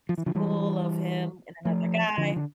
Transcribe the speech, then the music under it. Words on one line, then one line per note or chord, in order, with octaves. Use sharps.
school of him and another guy.
F3
E3
D3 F3
E3 G3
F3 A3
D3 F3
D3